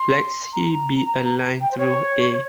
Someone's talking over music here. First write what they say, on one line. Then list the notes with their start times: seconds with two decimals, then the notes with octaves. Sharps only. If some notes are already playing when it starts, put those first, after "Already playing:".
Let "C" be a line through "A".
Already playing: C6
0.53 A#5
1.61 G5
1.71 C5
1.78 C#5